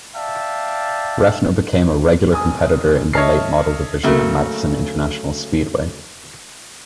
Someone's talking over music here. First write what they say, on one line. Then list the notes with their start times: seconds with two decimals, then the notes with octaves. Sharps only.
Reffner became a regular competitor in the late model division at Madison International Speedway.
0.16 D5 E5 F5 G5 A5
2.32 F1 G#5 D#6
3.13 C#5 D#5 E5 A5 F6 C7
4.03 C#3 F#3 A3 A#3 F#4 A#4